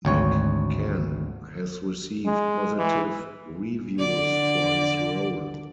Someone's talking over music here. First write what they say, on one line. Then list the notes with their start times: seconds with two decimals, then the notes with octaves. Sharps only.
McCann has received positive reviews for his role.
0.05 G#1 D2 C#5
2.26 G#3
2.78 E3
3.97 D3 D5